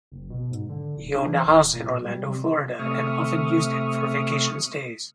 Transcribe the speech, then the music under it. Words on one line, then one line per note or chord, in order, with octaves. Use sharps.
He owned a house in Orlando, Florida, and often used it for vacation stays.
F#1
B2
G#2
D3
D#1
D4
E3
D#1
A#2
G3
C3
C3 A3 E5 C#6 D#6 F6